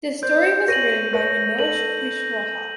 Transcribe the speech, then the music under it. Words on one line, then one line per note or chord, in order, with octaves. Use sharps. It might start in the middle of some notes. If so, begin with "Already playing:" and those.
The story was written by Manoj Kushwaha.
C5 D5 G6
B4 C#5 A#6 D#7 F#7
B4 C#5 G6
A4 B4 A#6 D#7 F#7